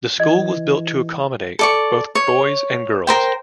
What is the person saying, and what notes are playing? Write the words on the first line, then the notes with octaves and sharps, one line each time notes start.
The school was built to accommodate both boys and girls.
E3 D#5 G#6
A4 D5 C#6
C#5
A#4 C5 G5